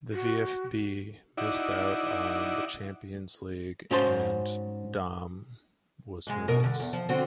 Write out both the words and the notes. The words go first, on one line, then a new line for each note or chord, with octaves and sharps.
The VfB missed out on the Champions League and Daum was released.
F#4
D#4 E4 F#4 D5
G#2 C#4 F#4 C5 A5 C6
G#2 G#3
G#2 B2 A#4
G2 D3
E2
F3
D3 C4 F#4